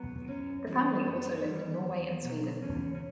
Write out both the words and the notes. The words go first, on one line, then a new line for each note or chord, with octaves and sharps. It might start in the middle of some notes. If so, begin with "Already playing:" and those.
The family also lived in Norway and Sweden.
Already playing: F#3 B3
F#2 C#4
E3 G3 B3 C#4
F#2 B3
E3 G3 B3
E2
B2 F#3
E2 C#4
C#4